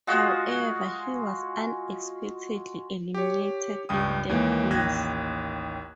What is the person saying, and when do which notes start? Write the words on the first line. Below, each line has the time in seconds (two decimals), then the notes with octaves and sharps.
However, he was unexpectedly eliminated in third place.
0.07 G#3 F4 F#4 G#4
3.14 G4 C#5
3.89 C#2 G2 G5 D#6
4.29 D#2 E3 G#3 A#3 C#5
4.70 A1 D#2 G5 F#6 G#6 A#6